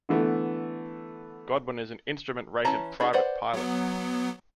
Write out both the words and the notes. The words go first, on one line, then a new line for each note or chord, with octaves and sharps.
Godwin is an instrument rated private pilot.
D3 E3 A3 B3
E3 C#4 E4 A5 A#5
D4 E4 G#4
B4 C5 D5 F#5
F#3 B3